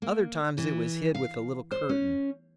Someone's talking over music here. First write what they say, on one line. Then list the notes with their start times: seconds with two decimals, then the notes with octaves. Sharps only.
Other times it was hid with a little curtain.
0.02 A#3
0.58 E3
1.14 F5
1.72 C5
1.89 C#4